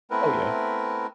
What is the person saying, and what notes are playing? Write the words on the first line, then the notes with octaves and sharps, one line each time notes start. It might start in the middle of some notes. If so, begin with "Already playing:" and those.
Oh, yeah.
A3 B3 C4 E4 A#4 B4